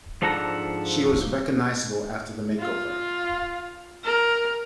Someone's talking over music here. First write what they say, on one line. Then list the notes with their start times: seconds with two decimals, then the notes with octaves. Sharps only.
She was recognizable after the makeover.
0.22 G#2 F3 D4 A4 F#5 A#5
2.60 F4
4.04 A#4